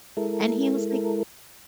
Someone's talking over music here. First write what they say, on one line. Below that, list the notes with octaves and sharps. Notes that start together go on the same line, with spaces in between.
And he was like
G#3 E4 A4 A#4